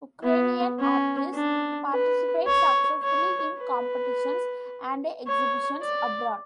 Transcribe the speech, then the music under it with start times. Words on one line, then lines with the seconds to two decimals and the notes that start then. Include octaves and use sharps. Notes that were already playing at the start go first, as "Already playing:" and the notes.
Ukrainian artists participate successfully in competitions and exhibitions abroad.
0.23 B3
0.79 C#4
1.35 D4
1.91 B4
2.46 C#5
3.02 C#5
3.58 B4
5.26 C#5
5.82 D5